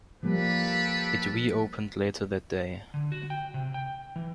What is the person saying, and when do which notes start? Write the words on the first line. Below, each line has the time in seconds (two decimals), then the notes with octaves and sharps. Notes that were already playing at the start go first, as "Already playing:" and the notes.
It reopened later that day.
0.23 F3 G3 A#3 G4 A4 B4
2.94 D3
3.12 F#4
3.30 G5
3.54 C3
3.74 G5
4.16 E3